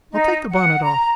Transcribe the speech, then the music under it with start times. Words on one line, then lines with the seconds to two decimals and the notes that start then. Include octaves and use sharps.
"I'll take the bonnet off."
0.12 D#4
0.49 F#5
0.82 A#5